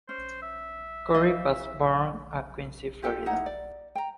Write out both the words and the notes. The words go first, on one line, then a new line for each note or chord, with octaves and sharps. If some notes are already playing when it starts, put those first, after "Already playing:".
Corry was born at Quincy, Florida.
C#4 C5
E5
E4 D#5 F5
F4 G4 A4 G5
D#4 E4 F#5 A#5
D5
G5 A#5